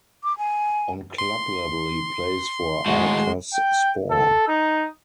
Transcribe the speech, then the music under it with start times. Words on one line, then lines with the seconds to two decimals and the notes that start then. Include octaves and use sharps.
On club level he plays for Arkas Spor.
0.24 D6
0.38 G#5
1.18 C6
2.86 D#2 A2 G#3 F#4
3.54 G5
4.11 A4
4.48 D#4